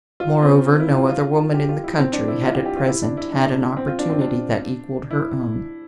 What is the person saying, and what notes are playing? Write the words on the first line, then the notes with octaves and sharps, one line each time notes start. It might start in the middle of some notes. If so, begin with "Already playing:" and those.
Moreover, no other woman in the country had at present had an opportunity that equaled her own.
F4
C4
E4
F4
F4
G4
F4
E4
C4
D4
E4
F4
G4
G4
F4
E4
D4
E4
D4
C4
F4
D4
C4
D4
E4